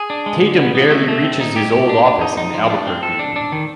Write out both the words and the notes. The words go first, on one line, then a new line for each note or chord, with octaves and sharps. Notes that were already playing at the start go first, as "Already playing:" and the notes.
Tatum barely reaches his old office in Albuquerque.
Already playing: G#4
D4
G#3
D3
B3
B3
A3
A3
C4
D#4
G4
G4
D4
D4
D#4
D#4
F3
D4
C4
A4
D4
D4
D#3